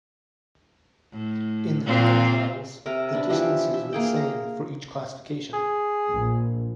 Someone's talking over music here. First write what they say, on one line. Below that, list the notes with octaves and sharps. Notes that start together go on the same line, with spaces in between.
In the time trials, the distances were the same for each classification.
A2
A#2 C4 F4
C3 A#4 E5
B3 D4 E5
E3 F3 G4 E5
E5
A#3 G#4 G5
A#5
G#4
A#1